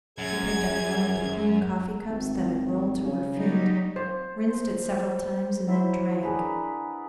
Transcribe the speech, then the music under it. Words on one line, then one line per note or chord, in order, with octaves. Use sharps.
She picked up one of the clean coffee-cups that had rolled to her feet, rinsed it several times, and then drank.
F#2 G#4 G#6
G#1
C#3
F#3 G3 D#4
C5
C5
F#3 E4 C5 E5
D4 G#4 A#4 B4